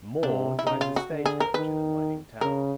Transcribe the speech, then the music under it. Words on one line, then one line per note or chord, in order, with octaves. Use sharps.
Moore drives a stagecoach in a mining town.
C3 D4
E4
C#3 D#4
F4
F#4
D3
G#4
A#4
D#3 B4
C#3 A#4